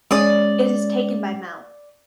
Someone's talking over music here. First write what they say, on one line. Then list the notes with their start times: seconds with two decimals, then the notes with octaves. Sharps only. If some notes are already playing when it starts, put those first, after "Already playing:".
It is taken by mouth.
0.11 G#3 C#4 D5 D#6